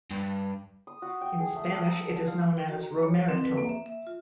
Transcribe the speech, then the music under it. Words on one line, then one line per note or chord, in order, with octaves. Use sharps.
In Spanish it is known as "romerito".
G2
D#6
F#4
G5
G#4
A3
A4
A#5
A5
F5
G5
F#4
A#5
C#5
F#3
C4
B4
A#3
E5
E5
F4